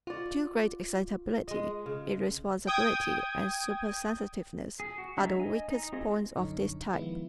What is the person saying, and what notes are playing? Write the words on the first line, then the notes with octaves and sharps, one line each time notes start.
Too great excitability, irresponsibility and supersensitiveness, are the weakest points of this type.
F4 F#4 D5
G#3 D#5
C#3
G5 D#6 G#6
G#4
F#4
G#3 D4 E5 A#5 E6
D#5 G#5
D#4
C4 E4 G4 G#4 D#5
A#1 F#2 D3 D#4 C#5
D#3 F3 G#3 B3 E4 F4